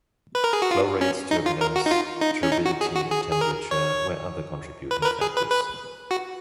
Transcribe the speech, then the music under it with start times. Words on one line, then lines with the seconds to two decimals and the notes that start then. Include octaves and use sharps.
Flow rates, turbulence, turbidity and temperature were other contributing factors.
0.35 B4
0.44 A#4
0.53 G#4
0.62 F#4
0.71 F4
1.01 C#4
1.31 D#4
1.46 F4
1.61 A#4
1.76 F#4
1.86 D#4
1.91 F4
2.21 D#4
2.43 C#4
2.52 D#4
2.66 F#4
2.81 G#4
2.96 F#4
3.11 G#4
3.32 G#4
3.41 A#4
3.71 C#5
4.91 B4
5.02 A#4
5.06 B4
5.21 G#4
5.37 B4
5.51 B4
6.11 F#4